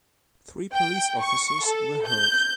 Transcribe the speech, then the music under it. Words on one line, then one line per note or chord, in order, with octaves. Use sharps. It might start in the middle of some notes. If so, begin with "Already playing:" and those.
Three police officers were hurt.
G5
C#6
A4
G6